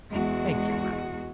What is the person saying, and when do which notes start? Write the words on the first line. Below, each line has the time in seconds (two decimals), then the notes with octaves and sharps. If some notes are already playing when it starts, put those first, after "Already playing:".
"Thank you, madam."
0.11 E2 G#3 F#4